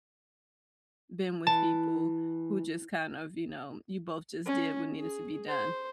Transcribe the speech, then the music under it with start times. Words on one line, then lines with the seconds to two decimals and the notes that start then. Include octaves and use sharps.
been with people who just kind of, you know, you both just did what needed to be done?
1.47 E3 A5
4.46 C#4
4.99 G#4
5.48 C5